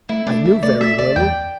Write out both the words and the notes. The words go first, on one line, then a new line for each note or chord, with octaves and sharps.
I knew very little.
A3 E4
A3 D4
D2 E4
A3 D5
A3 E5
D2 D5
E2 G5